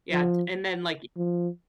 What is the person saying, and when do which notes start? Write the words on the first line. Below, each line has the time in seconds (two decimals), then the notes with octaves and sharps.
Yeah d and then, like
0.12 F3
1.17 F3